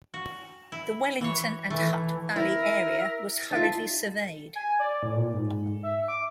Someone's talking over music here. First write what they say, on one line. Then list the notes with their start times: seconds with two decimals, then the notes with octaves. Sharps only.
The Wellington and Hutt Valley area was hurriedly surveyed.
0.14 F#4
0.72 E4
1.21 E3 C#5
1.70 E3 A3
2.36 E4 A#4 E5
3.51 D#4 F4 E5 A5
4.55 G#5
4.79 D5
5.03 A2
5.16 A#2
5.33 G#2
5.83 E5
6.08 D6